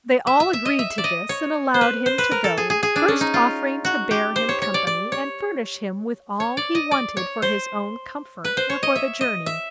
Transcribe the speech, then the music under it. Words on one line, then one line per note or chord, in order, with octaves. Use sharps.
They all agreed to this, and allowed him to go, first offering to bear him company and furnish him with all he wanted for his own comfort or for the journey.
E5
E5
E5
D#5
E5
D5
D#5
C#5
C5
B4
C5
B4
A#4
A4
G#4
G#4
G#4
D4
C#4
D#4
F4
F#4
G4
C5
C#5
C#5
D5
D5
C#5
C#5
D5
D#5
D5
C#5
C5
B4
C5
C#5
D#5
E5
D#5
E5